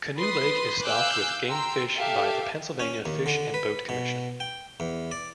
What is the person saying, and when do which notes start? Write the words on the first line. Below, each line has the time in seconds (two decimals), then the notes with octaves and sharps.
Canoe Lake is stocked with game fish by the Pennsylvania Fish and Boat Commission.
0.17 B4 B5 C6 D#6 A6
0.84 F5 G#5 D6 E6 F#6 G6
1.48 G5 A#5 C6 E6
1.98 G4 A4 E5 F5
2.80 C#4
3.06 D#2
3.26 D3
3.54 B4
3.89 B2
4.40 G5
4.80 E2
5.11 D5